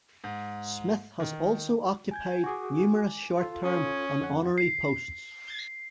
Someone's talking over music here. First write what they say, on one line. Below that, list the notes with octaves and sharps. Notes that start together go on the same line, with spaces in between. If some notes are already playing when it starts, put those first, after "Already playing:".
Smith has also occupied numerous short-term and honorary posts.
G#2
D#3
G#5 G6 G#6
F#4 G#4 G#5 D6
F4 A4
C#4 D#6 G#6
F2 F#5
C7